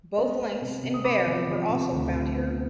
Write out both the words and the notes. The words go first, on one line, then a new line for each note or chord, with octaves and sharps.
Both lynx and bear are also found here.
B3 C5 D#5
B3
C3
C3
D#6
B3 B5 D6
F3
F3
C3
D2
C3
B3